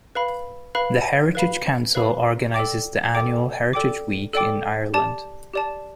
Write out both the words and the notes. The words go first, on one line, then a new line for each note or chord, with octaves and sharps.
The Heritage Council organizes the annual Heritage Week in Ireland.
B4 F5 B5
B4 F5 B5
B4 F5 B5
B4 F5 B5
A4 D5 G5 D6
A4 D5 G5 D6
A4 D5 G5 D6
A4 D5 G5 D6
G4 D5 A5
G4 D5 A5